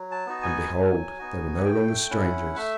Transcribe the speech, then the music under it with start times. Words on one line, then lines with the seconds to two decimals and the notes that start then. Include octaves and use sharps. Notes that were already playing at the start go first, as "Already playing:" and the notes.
And behold, they were no longer strangers.
Already playing: F#3
0.11 A5
0.26 B3 D#4 F#4
0.42 G#5
0.73 F#3
1.19 B3 D#4 F#4
1.57 F#5
1.64 A3 G5
2.10 C#4 E4 F#5
2.56 A3 E5